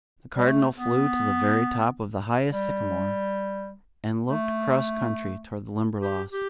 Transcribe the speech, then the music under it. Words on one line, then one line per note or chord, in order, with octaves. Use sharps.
The Cardinal flew to the very top of the highest sycamore and looked across country toward the Limberlost.
G3
A3
B3
G3
A3
G4
G4